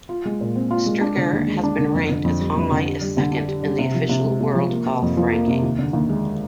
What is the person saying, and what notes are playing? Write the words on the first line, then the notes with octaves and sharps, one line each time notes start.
Stricker has been ranked as high as second in the Official World Golf Ranking.
F4
G#3
A#2
C4
F4
G#3
D4
D3
D#2
G#3
D4
D3
F2
D3
F2
G3
F2
D3
G4
G3
D3
D4
G4
G3
C3
F3
C3
G#3
C3
F3
A#3
C3
F2
F3
A#3
C3
D#2
D3
D#2
G#3